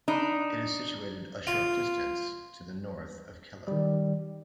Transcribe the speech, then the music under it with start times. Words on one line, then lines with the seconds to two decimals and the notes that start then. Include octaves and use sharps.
It is situated a short distance to the north of Kelloe.
0.08 D4 D#4
1.47 F4
3.68 D#3 G3